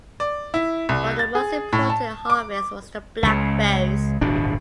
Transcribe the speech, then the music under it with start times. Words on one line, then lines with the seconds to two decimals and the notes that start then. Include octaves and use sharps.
But the most important harvest was the blackberries.
0.20 D5
0.54 E4
0.89 C2
1.19 A6
1.35 G#4
1.73 A2
1.90 A5
2.30 D6
3.23 C#2 C#3
4.21 D1 G1 B2 D4